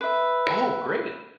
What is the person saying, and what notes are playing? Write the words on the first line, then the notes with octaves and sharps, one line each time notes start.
Oh, great.
B4 E5